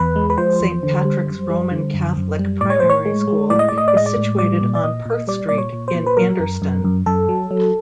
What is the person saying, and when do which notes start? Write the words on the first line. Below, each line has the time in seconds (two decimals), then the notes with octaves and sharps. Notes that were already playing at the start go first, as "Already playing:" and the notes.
Saint Patrick's Roman Catholic Primary School is situated on Perth Street in Anderston.
Already playing: E2 B4
0.16 G#3
0.30 B4
0.38 F3 C5
0.60 E2
0.83 D3
1.05 G3
1.27 F#2
1.50 G3
1.71 D3
1.94 F#2
2.17 F#2
2.39 G3
2.61 A2 D5
2.70 C#5
2.80 A2 C5
2.89 C#5
3.05 G#3
3.28 G#3
3.50 A2 D5
3.59 D#5
3.69 A2 D5
3.78 D#5
3.88 D5
3.95 G#3 D#5
4.06 D5
4.16 A2
4.38 G3 D5
4.61 A#2
4.75 D5
4.84 A#2 D#5
5.06 A#2
5.28 G3 D5
5.49 A#2 D5
5.58 C#5
5.73 A#2
5.88 C5
5.95 A#2
6.06 B4
6.17 F#3 A#4
6.39 F#2
6.62 F#2
6.84 F#2
7.06 F#2 A4
7.29 F#3
7.51 F#3